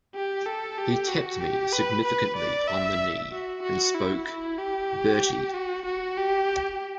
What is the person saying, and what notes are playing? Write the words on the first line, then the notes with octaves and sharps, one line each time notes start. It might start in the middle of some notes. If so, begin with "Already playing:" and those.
He tapped me significantly on the knee and spoke: "Bertie."
G4
A4
G4
F#4
G4
B4
B4
D5
E5
F#4
F#4
E4
E4
G4
F#4
F#4
G4